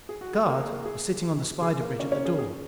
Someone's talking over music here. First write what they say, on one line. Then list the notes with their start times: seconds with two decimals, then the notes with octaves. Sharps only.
"The guard was sitting on the spider bridge at the door."
0.09 G#4
0.21 F#4
0.34 G#4
0.47 A#3 A#4
0.59 G#4
0.73 A#3 A#4
0.86 G#4
1.62 G#4
1.81 A#3 A#4
2.00 C#4 C#5
2.12 C#4 C#5
2.25 G#4
2.39 G#4